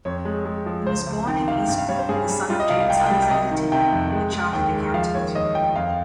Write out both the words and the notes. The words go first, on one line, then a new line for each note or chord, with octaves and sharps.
He was born in Eastbourne, the son of James Alexander Tinling, a chartered accountant.
F2 C#5
G#3
G#3
F3
C#2 C5
C#2
D#3 G5
C3 F5
G2 G5
F5
G3 C#5
C5
G2 G#4
G3
G3 F4
D#5
C2 F5
F5
C2 G5
G5
G3
G5
C3 D#5
D#3
C3 G5
F2
G#3
G#3
D#2 G5
G#3
F3 F5
D#2 C#5
D#2 D#5
F3 G5
F2 F5